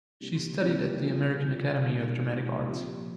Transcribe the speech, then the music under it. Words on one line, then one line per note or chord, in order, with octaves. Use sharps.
She studied at the American Academy of Dramatic Arts.
C3 G3 A#3 D4 G4
C3 G3 A#3 D4 G4
C3 G3 D4 F4
C3 G3 D4 F4
A#2 G#3 D#4 G4
A#2 G#3 D#4 G4
A#2 F3 C4 G4